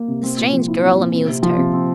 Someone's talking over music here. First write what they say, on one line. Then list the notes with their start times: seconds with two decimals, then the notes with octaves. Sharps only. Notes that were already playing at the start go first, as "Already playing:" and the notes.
The strange girl amused her.
Already playing: A#3
0.08 C3
0.23 C4
0.38 A#2
0.53 F3
0.68 E4
0.82 C4
0.98 A#2
1.14 C4
1.28 C3
1.43 F3
1.57 C3
1.73 C4